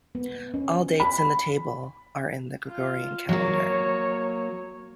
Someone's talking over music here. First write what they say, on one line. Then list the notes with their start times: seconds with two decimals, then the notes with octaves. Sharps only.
All dates in the table are in the Gregorian calendar.
0.15 B3
0.54 C#4
1.00 B5
2.68 F4
3.29 F#3 A#3 C#5